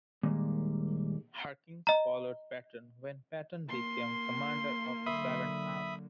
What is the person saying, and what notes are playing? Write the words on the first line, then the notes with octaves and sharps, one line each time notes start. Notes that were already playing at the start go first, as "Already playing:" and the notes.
Harkins followed Patton when Patton became commander of the Seventh Army.
D#2 A#2 D#3 G3 G#3 A#3
D#5 A#5
A#3 C6
D3 F#3 E5 B5 D#6